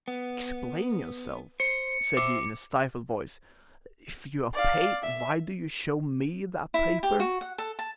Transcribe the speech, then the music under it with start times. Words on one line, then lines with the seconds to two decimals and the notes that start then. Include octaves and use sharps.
"Explain yourself," said he, in a stifled voice--"if you are paid why do you show me that paper?"
0.08 B3
1.60 C5 C#7
2.17 C5 E5 D6
4.54 D5 F5
5.03 E5
6.74 E4
7.03 G4
7.20 F#4
7.41 F#5
7.58 A4
7.79 A5